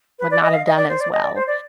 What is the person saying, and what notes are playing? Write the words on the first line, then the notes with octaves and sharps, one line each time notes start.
would not have done as well
B4
D5
D#5
F5
D#5
D5
C5
D5
D#5
D5
C5
D5